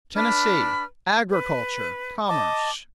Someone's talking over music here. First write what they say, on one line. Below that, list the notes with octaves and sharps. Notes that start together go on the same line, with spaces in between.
Tennessee--Agriculture, Commerce.
D4 B4 B5 F6
B4
D#5 A5 D6